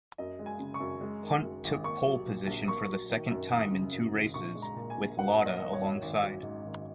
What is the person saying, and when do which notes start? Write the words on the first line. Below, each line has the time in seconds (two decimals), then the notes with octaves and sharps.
Hunt took pole position for the second time in two races, with Lauda alongside.
0.18 F#2 D#5
0.39 G#3
0.46 G#5
0.60 C#3
0.74 C#6
0.80 F#2
1.01 G#3
1.23 D#3
1.44 F#2
1.64 G#1
1.84 A#3 C#6
2.06 F#3
2.26 A#2
2.47 A#1
2.68 A#3 C#6
2.89 F#3
3.09 D#3
3.31 F#2
3.51 G#1 D#6
3.72 C#3
3.93 F#2
4.14 G#1
4.34 A#1 C#6
4.55 G#3
4.62 A#5
4.76 A#2
4.90 G#5
4.98 A#1
5.18 F#2 F#5
5.39 A#3
5.46 D#5
5.59 D#3
5.73 C#5
5.81 F#2
6.02 G#1
6.23 F#3
6.43 G#2
6.65 G#1